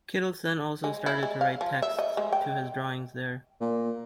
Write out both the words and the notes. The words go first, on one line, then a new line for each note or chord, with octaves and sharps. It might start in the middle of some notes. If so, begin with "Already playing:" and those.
Kittelsen also started to write texts to his drawings there.
G#3
E4
G#3
F5
F3
E5
D#5
G#3
G5
A#2